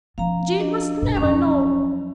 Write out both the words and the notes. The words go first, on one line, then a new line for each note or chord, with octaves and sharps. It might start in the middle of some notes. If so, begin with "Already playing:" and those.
Jane must never know.
F3 C#4 F5 A#5
D4 D#5
A#1 G2
F2 F#3 C#4